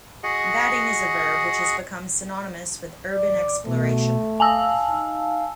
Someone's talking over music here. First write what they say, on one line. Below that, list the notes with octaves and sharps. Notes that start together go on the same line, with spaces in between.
Vadding is a verb which has become synonymous with urban exploration.
F#4 G#4 D#5 F#5
D5
B2 A3
F5 G#5 A5 E6
D#4